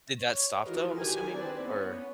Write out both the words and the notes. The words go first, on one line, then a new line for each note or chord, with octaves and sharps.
Did that stop, though, I'm assuming? Or...
C#5
E3 F4 F#4 A#4 B4 D#5
D#3 F#3 G4 A#4 B4 G#5
C4 D4 E4 B4 D5
B3 C#4